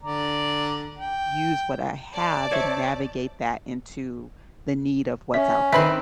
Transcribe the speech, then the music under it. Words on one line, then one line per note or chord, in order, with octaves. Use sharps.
use what I have and navigate that into the need of what's out there.
D3 D5 A#5
G5
D5 A5 D6
C5 C#5 E5
C#4 E5
D#3 C4 B4 E5 B5